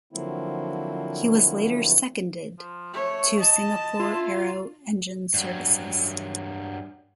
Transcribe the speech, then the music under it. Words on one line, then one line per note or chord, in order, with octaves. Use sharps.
He was later seconded to Singapore Aero Engine Services.
D3 F3 F#3 A#3 C4 E4
F3
A3 C#5
D#5 A5
E4 F4
G2 F#3